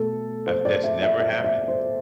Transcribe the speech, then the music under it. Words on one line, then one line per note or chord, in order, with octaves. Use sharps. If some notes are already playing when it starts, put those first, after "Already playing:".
I've That's never happened.
Already playing: B2 A3 A4
C5
D5
E5
E5
E5
E5
C5